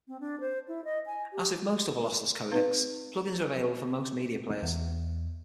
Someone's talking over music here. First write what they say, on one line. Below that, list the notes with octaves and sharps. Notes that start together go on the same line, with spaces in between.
As with most other lossless codecs, plugins are available for most media players.
C4
D4
C5
E4
D#5
G#5
G4
C4 D#4 B4 F5
E2